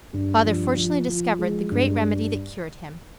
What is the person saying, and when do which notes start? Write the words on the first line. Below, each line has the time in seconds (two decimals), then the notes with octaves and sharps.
Father fortunately discovered the great remedy that cured him.
0.13 G2
0.44 F3
0.76 F3
1.08 F3
1.39 G#3
1.71 G2